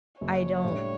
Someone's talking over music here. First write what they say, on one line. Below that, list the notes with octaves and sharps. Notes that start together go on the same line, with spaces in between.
I don't
F#1 F#2 C#3 C#5
A2 G3 D4